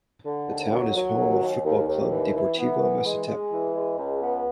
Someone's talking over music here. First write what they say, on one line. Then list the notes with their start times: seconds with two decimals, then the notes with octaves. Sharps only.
The town is home of football club Deportivo Masatepe.
0.25 D3
0.48 D#2
0.72 F#3
0.95 F#3
1.18 D#2
1.41 D#2
1.65 D#2
1.87 D#2
2.11 E3
2.35 E3
2.58 B3
2.81 E3
3.05 G#3
3.27 G#3
3.51 E3
3.74 G#3
3.98 C#2
4.21 B3